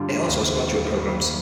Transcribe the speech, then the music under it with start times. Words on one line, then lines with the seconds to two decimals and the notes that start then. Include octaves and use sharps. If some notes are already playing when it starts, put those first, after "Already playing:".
It also has graduate programs.
Already playing: G2 D3 G3 D4 F4
0.26 D#2
0.72 D#3 G3